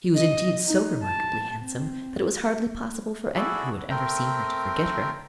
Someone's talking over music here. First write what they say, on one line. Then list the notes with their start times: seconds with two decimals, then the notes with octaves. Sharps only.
She was indeed so remarkably handsome, that it was hardly possible for any who had ever seen her to forget her.
0.15 D#5
0.67 D#4
1.03 A5
1.62 C4
3.36 E4 F#4 G#4 A4 D5
3.90 A3 C4 A#4 G5